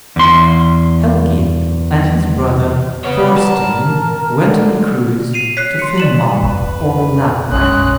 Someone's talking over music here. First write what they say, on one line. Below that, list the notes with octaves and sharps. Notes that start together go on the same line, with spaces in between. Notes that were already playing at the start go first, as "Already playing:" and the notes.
Helgi and his brother Thorstein went on a cruise to Finnmark, or Lapland.
E2 C6
C#3 B3 C#5
A#4 A5
D3
C7 D#7 F7
C#5 F#6 B6 C7
C6 F#6 C#7
D5 E7 F#7
F2 C3 B4
F#1 B1 G#3 C#4 F#6